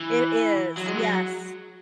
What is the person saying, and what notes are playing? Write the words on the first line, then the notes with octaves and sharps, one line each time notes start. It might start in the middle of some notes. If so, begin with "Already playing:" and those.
It is, yes.
Already playing: E3
F#3
G#3
F#3